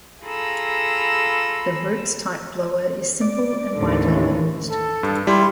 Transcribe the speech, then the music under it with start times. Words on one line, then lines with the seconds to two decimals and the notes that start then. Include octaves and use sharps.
The Roots-type blower is simple and widely used.
0.23 F4 G#4 A4 A#5 B5 E6
3.21 D5
3.73 D#2 A2 D3
4.04 D#3 E3 C#4
4.68 A4
5.03 G2
5.27 G3 E4 G4 C6